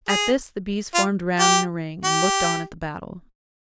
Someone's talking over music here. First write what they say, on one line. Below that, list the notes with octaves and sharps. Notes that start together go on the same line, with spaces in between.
At this the Bees formed round in a ring and looked on at the battle.
G#4
F4
G4
G4